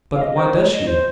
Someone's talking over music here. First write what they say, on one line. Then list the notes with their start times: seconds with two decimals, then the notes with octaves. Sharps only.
"But why does she?"
0.15 F5
0.21 D#5
0.38 C5
0.54 C#5
0.71 D#5
0.87 C5